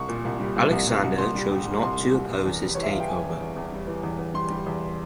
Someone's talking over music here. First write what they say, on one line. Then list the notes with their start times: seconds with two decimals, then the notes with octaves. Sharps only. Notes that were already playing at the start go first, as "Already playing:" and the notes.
Alexander chose not to oppose his takeover.
Already playing: C2 C#6
0.09 A#2
0.25 C2
0.40 G3
0.56 C2
0.72 C2
0.87 C2
1.03 C2
1.18 C2 C6
1.35 G3
1.51 G3
1.66 G3
1.82 C2 C6
1.98 G3
2.14 C2
2.30 C2
2.45 E2
2.61 G3
2.75 E3 C#5
2.83 E5
2.92 E2 F5
3.00 G5
3.08 E2 G#5
3.23 E2
3.40 E2
3.56 E2
3.72 G3
3.87 E3
4.03 E2
4.18 E2
4.34 G3 C6
4.50 G3
4.66 E2